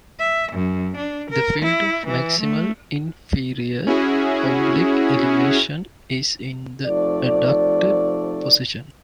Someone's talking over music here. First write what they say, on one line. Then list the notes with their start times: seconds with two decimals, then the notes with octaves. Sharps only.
The field of maximal inferior oblique elevation is in the adducted position.
0.19 E5
0.52 F#2
0.97 D4
1.30 A#4
1.62 E4
2.07 E3
2.40 A3
3.87 C#4 E4 F#4 G#4
6.86 C3 F3 A3 D#4 D5